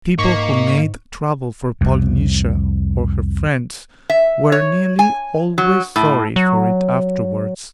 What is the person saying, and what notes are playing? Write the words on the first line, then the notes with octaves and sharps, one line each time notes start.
People who made trouble for Polynesia or her friends were nearly always sorry for it afterwards.
G#2 A#3 D#5 C#6 B6
C2 F2
E5
C#5
G#5
F#3
A2
F#3